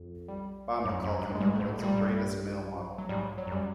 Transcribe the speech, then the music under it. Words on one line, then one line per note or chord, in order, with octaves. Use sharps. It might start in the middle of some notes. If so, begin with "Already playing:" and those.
Bama called him the world's greatest male model.
Already playing: F2
G3
F#2 F#3
F#2 F#3
G2
G#3
G#2 G3
A3
A2
A#2 G3
G2
F#3
G#2 G3
F#3
F#2 G3